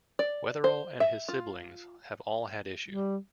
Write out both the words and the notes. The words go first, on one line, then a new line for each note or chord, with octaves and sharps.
Weatherall and his siblings have all had issue.
D5
C5
E5
F4
G3